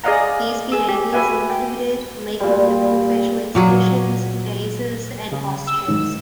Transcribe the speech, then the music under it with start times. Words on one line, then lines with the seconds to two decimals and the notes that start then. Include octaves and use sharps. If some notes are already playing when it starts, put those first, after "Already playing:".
These behaviors included making different facial expressions, gazes, and postures.
0.04 G#4 D5 D#5 F5 F#5 A#5
0.72 G#4 E6
0.89 G4
1.13 F#4 B4 E5 F#5 G#5
1.50 G5
2.40 A#2 G3
3.55 A#2 F#3 G#4
5.32 C#3
5.67 E6
5.88 G#2 D#3 G#3